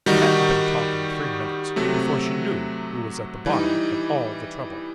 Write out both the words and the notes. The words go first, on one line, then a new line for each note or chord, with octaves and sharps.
He hadn't been talking three minutes before she knew who was at the bottom of all the trouble.
D#3 G3 D#4 F#4
C3 F#3 A3
E3 G3 D#4